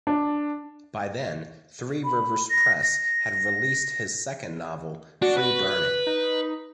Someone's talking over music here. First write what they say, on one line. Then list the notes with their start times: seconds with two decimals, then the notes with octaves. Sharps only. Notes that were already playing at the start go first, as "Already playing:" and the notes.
By then, Three Rivers Press had released his second novel, "Free Burning".
0.07 D4
2.04 B5
2.50 A#6
2.82 A#6
5.22 D4 F#4 D5
5.37 B4
5.67 F#6
6.06 D#4